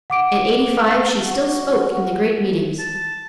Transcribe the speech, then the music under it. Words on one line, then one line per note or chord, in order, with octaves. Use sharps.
At eighty-five she still spoke in the great meetings.
F#5 D6 D7
F#4
A5